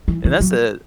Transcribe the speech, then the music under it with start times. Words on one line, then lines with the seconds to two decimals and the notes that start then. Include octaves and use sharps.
and that's a
0.08 E3
0.25 E3
0.41 F#3